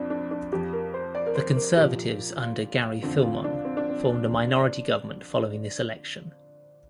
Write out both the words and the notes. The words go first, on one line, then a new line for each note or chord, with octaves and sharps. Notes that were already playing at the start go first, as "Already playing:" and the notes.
The Conservatives under Gary Filmon formed a minority government following this election.
Already playing: F2 F3 C4 D4
D4
D4
F2 F3 G4
A#4
C5
D5
A#4
C5
A#4
A#2 F3 G4
F4
F2 D3 F3 C4
F4
D4
C4
D4
C4